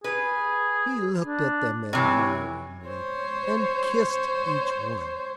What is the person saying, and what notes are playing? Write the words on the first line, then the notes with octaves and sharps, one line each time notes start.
He looked at them admiringly, and kissed each one.
G#4 B4
D4
C3 E3 C#5
C5 C#5